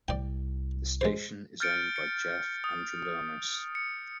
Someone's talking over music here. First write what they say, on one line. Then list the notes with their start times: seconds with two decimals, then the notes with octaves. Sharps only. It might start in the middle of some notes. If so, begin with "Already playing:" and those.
The station is owned by Jeff Andrulonis.
0.08 C2 D5 G5
1.01 G#3 C5
1.60 F6 G6 A6 C#7 D7
1.96 C#7
2.64 D#6
3.75 C#7